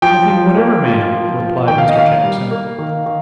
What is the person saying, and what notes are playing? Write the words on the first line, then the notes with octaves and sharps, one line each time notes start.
'Nothing whatever, ma'am,' replied Mr. Jackson.
F3 G5
F3
A#3
F4
F3
F3
D#3 G5
F5
D#5
D#3 F5
G3
A#3
D#3
D#3